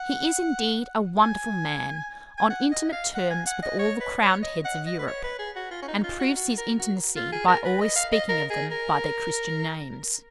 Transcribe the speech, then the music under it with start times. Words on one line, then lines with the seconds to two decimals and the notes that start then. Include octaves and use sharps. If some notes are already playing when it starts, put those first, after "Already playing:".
He is, indeed, a wonderful man--on intimate terms with all the crowned heads of Europe, and proves his intimacy by always speaking of them by their Christian names.
Already playing: F#5
1.22 G#5
2.38 G#5
2.50 F#5
2.72 D#5
2.93 F5
3.15 F#5
3.31 G#5
3.47 F#5
3.63 D#5
3.79 C#5
4.01 B4
4.22 C#5
4.43 D#5
4.65 F#5
4.86 D#5
4.99 B4
5.08 C#5
5.24 B4
5.39 G#4
5.56 F#4
5.71 F4
5.82 C#4
5.88 D#4
6.04 F4
6.20 F#4
6.36 F#4
6.58 A#4
6.79 F#4
7.16 F4
7.32 G#4
7.48 A#4
7.65 B4
7.81 D#5
7.96 F5
8.12 D#5
8.29 A#4
8.50 G#4
8.71 A#4